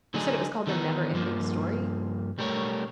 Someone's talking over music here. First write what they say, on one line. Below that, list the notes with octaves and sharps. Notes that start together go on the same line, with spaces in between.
You said it was called The NeverEnding Story?
D3 F#3 D4 D#4 G#4
D#3 E3 B3 D#4
G2 F3 A#3
B1 G3 A3 A#4 C#5